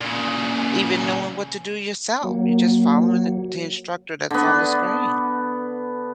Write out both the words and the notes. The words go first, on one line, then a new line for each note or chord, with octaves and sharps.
even knowing what to do yourself. You're just following the t instructor that's on the screen.
A#2 C#3
F#3 A#3
D3 B3